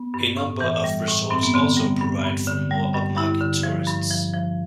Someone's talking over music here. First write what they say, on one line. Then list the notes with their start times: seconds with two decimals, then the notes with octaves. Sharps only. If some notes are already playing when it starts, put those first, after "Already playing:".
A number of resorts also provide for more upmarket tourists.
Already playing: B3
0.14 G2
0.37 A2
0.60 E3
0.84 G3
1.07 A2
1.31 G2 C4
1.43 B3
1.54 D3 C4
1.77 G3
2.01 G2
2.24 G2
2.47 D3
2.71 G3
2.94 G2
3.17 G2 E4
3.41 D3
3.63 F3
3.87 G2
4.10 F3
4.34 F3